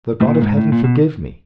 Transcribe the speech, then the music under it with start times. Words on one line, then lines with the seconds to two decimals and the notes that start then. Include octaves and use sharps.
The God of heaven forgive me!
0.21 A2
0.27 A#2
0.42 G#2
0.57 A2
0.72 A#2
0.84 B2